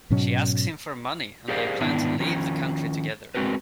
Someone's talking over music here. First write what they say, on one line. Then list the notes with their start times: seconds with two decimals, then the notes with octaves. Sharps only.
She asks him for money and they plan to leave the country together.
0.10 G#2 B2 F#3 C#4
1.48 G4 G#4 A#4 C5 D5 F5
1.80 G#2 D#3 B3 D4 E4
2.20 D#3 F3 C#4 F4 A#5
3.35 G#3 C4 F#4 A#4 B4